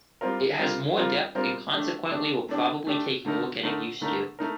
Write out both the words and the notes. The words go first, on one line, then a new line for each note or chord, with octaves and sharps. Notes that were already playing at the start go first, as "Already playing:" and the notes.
It has more depth and consequently will probably take more getting used to.
G3 C4 F4 A#4
G3 C4 F4 A#4
G3 C4 F4 A#4
G3 C4 F4 A#4
A3 D4 G4
A3 D4 G4
A3 D4 G4
A3 D4 G4
D3 A3 D#4 A#4
D3 A3 D#4 A#4
D3 A3 D#4 A#4
A3 D#4 A#4